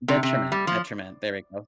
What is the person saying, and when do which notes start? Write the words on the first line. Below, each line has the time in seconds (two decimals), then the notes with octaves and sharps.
Detriment, detriment, there we go.
0.08 C3
0.23 C3
0.52 G3
0.67 F3